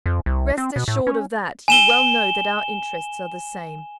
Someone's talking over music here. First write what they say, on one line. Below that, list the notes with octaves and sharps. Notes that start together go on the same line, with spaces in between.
"Rest assured of that; you well know that our interests are the same."
F2
C2
C4
B2
A2
C#4
G#5 E7 G7